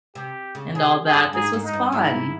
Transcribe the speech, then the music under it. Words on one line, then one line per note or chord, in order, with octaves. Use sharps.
and all that, this was fun.
C3 G4
C#3
C3 G#4
G#4
G2
G#2 G#4
G#2
D#4
G2
G#2 E4